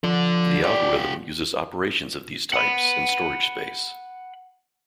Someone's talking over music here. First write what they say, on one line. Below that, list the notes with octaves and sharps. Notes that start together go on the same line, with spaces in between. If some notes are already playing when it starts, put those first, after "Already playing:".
The algorithm uses operations of these types, and storage space.
F3 A4 D5
F4 G4 D5
F#5 B5